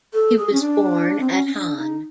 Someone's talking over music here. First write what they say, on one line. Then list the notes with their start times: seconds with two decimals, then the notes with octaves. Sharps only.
He was born at Hann.
0.13 A4
0.37 G#4
0.52 C#4
0.60 D4
1.20 C4
1.30 C#4
1.46 C#4
1.53 D4
1.77 D#4